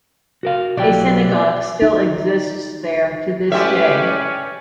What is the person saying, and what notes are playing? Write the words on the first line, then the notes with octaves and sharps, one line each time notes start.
A synagogue still exists there to this day.
F#4 A#4 F5
B1 E3 F#3 G3 D5 G5
D#4
A1 G3 G#3 C#4 G4 B4 E5